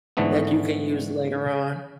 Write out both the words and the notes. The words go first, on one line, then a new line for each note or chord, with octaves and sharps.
that you can use later on.
G#2 D3 E3 A3 B3